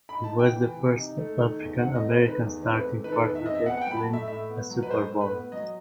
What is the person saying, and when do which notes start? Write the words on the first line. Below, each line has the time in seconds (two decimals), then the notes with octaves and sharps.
He was the first African-American starting quarterback to win a Super Bowl.
0.09 B5
0.14 D#4
0.24 A5
0.34 B3
0.39 G5
0.55 E3
0.76 C3
0.97 D#4
1.17 A3
1.39 D#3
1.60 E2
1.79 C4 F#5
1.95 D#5
2.00 A3
2.10 C5
2.21 D#3 B4
2.42 E2
2.63 C4
2.73 B4
2.83 A3
3.04 D#3 B4
3.12 A4
3.20 B4
3.24 E2
3.35 E5
3.46 C4 D#5
3.55 E5
3.66 B3 F#5
3.77 F#5
3.81 G5
3.87 F#3 B5
3.97 A5
4.08 A2
4.13 E5
4.28 A2 E5
4.49 B3
4.70 F#3
4.83 B4
4.90 A2 C5
5.11 A2
5.21 B4
5.32 B3
5.52 F#3 D#5